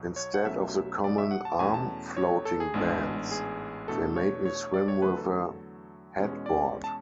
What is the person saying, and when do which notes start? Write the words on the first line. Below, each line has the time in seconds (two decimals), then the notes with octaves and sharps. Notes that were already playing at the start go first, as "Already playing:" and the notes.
Instead of the common arm floating bands, they made me swim with a headboard.
Already playing: B1 B2 F#3
0.16 C#5
0.34 F#5
0.45 B1 B2 F#3 A3 C#4 E5
1.04 D5
1.18 E5
1.31 F#5
1.45 A5
1.59 E2 B2 A3 C#4 G#5
1.74 A5
2.17 C#5
2.45 A4
2.60 G#4
2.74 A1 G#2 G#3 B3 D4
3.31 G#4
3.88 E2 B2 A3 D4 A4
4.16 C#5
4.45 C#5
4.74 D5
4.88 C#5
5.02 E2 D3 F#3 A3 B4
5.17 A4
6.16 E2 B2 G#3 C#4
6.46 D5
6.84 A5